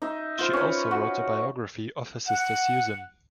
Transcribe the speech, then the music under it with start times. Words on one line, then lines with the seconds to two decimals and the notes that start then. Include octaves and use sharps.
She also wrote a biography of her sister Susan.
0.02 D#4 E5
0.39 F4 C5
0.53 C#4 B4
0.91 F#4
2.27 F#5